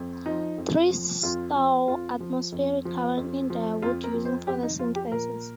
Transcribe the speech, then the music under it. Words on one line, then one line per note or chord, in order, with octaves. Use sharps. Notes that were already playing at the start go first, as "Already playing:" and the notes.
Trees store atmospheric carbon in their wood using photosynthesis.
Already playing: F2
F3 D#4
F2
F3
F2 F4
F3
F2 F4
F3
F2
F3
F2
F3
F2 F4
A#4
F3
C5
F2 G4
D#4
F3 F4
G4
A#2 A#4